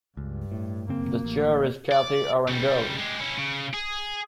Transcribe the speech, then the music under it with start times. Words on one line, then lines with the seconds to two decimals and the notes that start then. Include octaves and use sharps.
The Chair is Kathie Arundell.
0.17 C#2 G2
0.52 A2
0.88 F#2 C#3 A#3 C4
1.25 A1
1.92 D5
2.48 C#3 G3
2.98 G#3 G4
3.20 C#4 E4
3.38 C#3
3.74 G#4